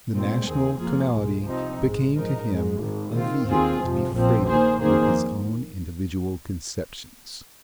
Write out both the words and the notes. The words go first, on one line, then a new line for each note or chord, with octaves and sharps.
The national tonality became to him a vehicle to be freighted with his own individual conceptions.
A#2 G#3 C4
D#2 D#3 C4 G#4
F2 F3 A#3 F4 G#4
C2 A#2 G#3
C3 F3 C4 D#4
A#1 G#2 G#3
G#2 F3 G#3 D#4 A#4
G#2 F3 G#3
G#1 G#2 D#3
C3 D#3 C4 F4
D#2 D#3 C4 F4 G#4
F2 C3 F3
A#1 A#2 F3 C4
D#3 A#3 G#4 C5
F2 D#3 A#3 G#4 C5